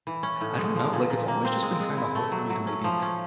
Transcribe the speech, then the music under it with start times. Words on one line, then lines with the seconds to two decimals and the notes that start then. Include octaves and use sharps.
I don't know. Like, it's always, just, been, kinda, hard for me to, maybe,
0.07 E3
0.23 C#4
0.41 A2
0.58 G#3
0.76 F3
0.93 A#2
1.10 A#2
1.28 A#3
1.45 C4
1.63 G#3
1.80 G#3
1.98 E4
2.15 A3
2.32 F#3
2.50 F#3
2.67 C#4
2.84 F3
3.02 C#4